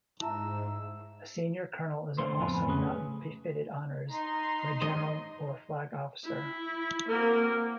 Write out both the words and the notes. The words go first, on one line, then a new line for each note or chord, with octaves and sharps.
A senior colonel is also not befitted honors of a general or flag officer.
G#2 E4 E5 A5 A#5 E6
D3 A3 C5
F2 A2 B3 G#5 B5
C#3 A3 C#4 G#4 B4
D#4 A#5 C6
D#5
E4
A#3 C4 F#4 A#4